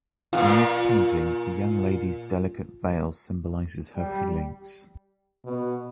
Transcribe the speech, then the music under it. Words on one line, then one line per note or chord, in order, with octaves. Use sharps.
In this painting, the young lady’s delicate veil symbolizes her feelings.
E2 A#2 F4
G3
B2